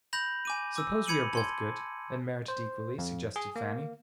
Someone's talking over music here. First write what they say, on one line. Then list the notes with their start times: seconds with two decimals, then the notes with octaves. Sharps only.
"Suppose we are both good, and merit it equally?" suggested Fanny.
0.13 B5 G6 A#6 F7 F#7
0.45 G#5 D6 D#7
0.76 D6 E6
1.07 B5 G#6 C#7 D#7 F#7
1.33 A5 C6 G#6
2.48 C5
2.98 F2
3.36 G#4
3.56 A#3